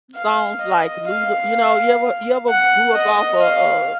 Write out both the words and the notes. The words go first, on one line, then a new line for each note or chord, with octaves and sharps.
songs like, Luther you know, you ever you ever grew up off of, uh,
F5
D#5
F5
F#5
D#5
F5